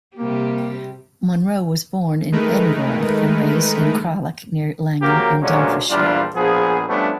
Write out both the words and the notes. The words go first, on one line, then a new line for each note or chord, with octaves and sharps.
Monro was born in Edinburgh and raised at Craigcleuch near Langholm in Dumfriesshire.
C3 G3 A#3 G4
D#3 G#3 A3 D#4 A#4 B4
C#3 F3 A#3 F#4 G4 A#4
D2 A#2 F#3 G#3 C#4 D4
A#1 E2 G3 D4 F4
A#1 F3 B3 G#4
F3 G3 A3 B3 C#4 D4